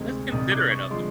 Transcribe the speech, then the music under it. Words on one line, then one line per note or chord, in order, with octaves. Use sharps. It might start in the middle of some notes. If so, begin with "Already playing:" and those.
That's considerate of them.
Already playing: D2 C3 D#3 G#3 C4
C2 C3 D#3 D#6
D6
C#6
D3 F3 G#3 C6